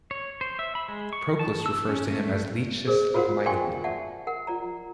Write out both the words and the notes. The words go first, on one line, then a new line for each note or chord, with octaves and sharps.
Proclus refers to him as "Lesches of Mytilene".
C#5
C5
E5
B5
G#3
C#6
A5
E6
C#4
A3
G#4 A#4 C5 D5
F4 F#4 A#4 C5 F5 F#5
D5 F5 G5 G#5 C6 C#6
D5 E5 F#5 A5
A#4 F#5
F4 D5 A#5